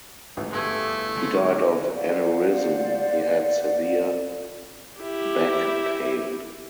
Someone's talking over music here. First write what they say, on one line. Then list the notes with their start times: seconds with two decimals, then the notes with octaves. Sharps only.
He died of aneurysm he had severe back pain.
0.37 A1 D2 G#2
0.53 G1 D3 A3 E4 G4 G#4
1.16 D3 G#3 C#4
1.43 D#4 G4
1.92 C5 D5 F5 F#5
5.00 E4 G4